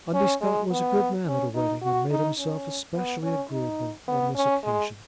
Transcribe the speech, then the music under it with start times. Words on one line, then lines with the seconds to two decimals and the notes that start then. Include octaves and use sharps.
Undy Scott was a good man at a wedding, and made himself specially agreeable on this occasion.
0.14 C#4
0.41 G#3
0.71 B3
1.27 C#4
1.55 D#4
1.82 F#4
2.11 D#4
2.39 C#4
2.96 B3
3.23 C#4
3.51 D#4
4.08 B3
4.36 C#4
4.64 G#3